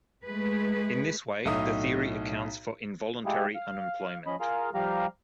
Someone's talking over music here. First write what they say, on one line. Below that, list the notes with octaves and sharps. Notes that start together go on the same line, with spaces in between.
In this way, the theory accounts for involuntary unemployment.
G#3 A3 G#4 B4
B1 A2 D#4 E5 F5 D#6
G#3 A3 E4 F4 G4 G#4
F5
F3 C#4 D#5 B5
F4 G#4 A#4 F5
F3 G3 G4 F5 A#5